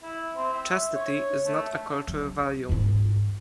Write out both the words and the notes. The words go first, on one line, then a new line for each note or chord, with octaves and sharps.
Chastity is not a cultural value.
E4
C4
E5
C#5
A3
F#3
G#2 F4